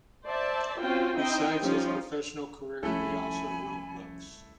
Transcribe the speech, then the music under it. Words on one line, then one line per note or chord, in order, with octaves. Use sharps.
Besides his professional career he also wrote books.
C5 D5 E5 A5
C4 C#4 F4 F#4 C5 G5
C4 D#4 E4 C5 D#5 G5
F3 G3 C#4 D#4 F4 G4
C2 F3 A3 C#4 E4 A4 G#5 B5